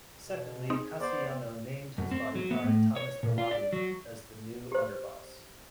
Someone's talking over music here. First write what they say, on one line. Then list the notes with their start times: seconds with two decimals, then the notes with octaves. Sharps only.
Secondly, Castellano named his bodyguard Thomas Bilotti as the new underboss.
0.22 B2
0.70 C4 D#4 G#4
1.01 B3 C5 D5
1.98 F#2
2.11 C4
2.35 F#3
2.51 B3
2.64 A2
2.96 C#5
3.23 A#2
3.38 F4
3.51 D5
3.73 F#3
4.72 G4 C5